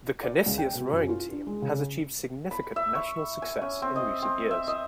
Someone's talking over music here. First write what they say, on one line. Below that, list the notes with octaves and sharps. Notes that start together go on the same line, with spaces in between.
The Canisius rowing team has achieved significant national success in recent years.
D5
C#2
G5
B2
F#2
F4
D4
G#3
C#3
B5
E5
C#6
G#5
C#4
C4
D#5
C4
E5
D#5